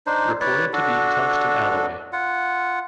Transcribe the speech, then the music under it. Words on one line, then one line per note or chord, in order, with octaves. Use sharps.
Reported to be tungsten alloy.
D4 D#4 C5
B4 C#5 D5
D4 F#4 A4
F4 F#5